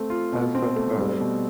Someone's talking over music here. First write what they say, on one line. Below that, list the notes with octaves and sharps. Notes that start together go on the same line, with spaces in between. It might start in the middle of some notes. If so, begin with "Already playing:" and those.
Alfred Earle.
Already playing: A3 C4
F4
B2
C4
A3
G3
B2